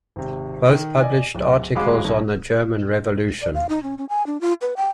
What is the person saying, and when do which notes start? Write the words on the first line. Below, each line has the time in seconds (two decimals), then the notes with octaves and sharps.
Both published articles on the German Revolution.
0.16 G#1 C3
0.69 D#3
1.01 D5 D#5 G#5
1.35 D1
1.75 D#1 G#3 F#4 F5 B5 D6
2.04 B1
3.42 D5
3.54 F5
3.69 D#4
3.83 C#4
3.98 C#4
4.09 G#5
4.26 D4
4.41 F4
4.62 B4
4.77 G5